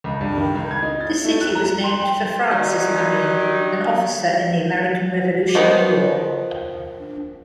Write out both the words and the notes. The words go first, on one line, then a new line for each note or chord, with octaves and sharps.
The city was named for Francis Marion, an officer in the American Revolutionary War.
C#2
G2
D#3
C#2
G#6
D#4
A6
A3
F#6
A#5
C6
G5
D#3 F#3 G3 D#4
D#3 F3 B3 D#4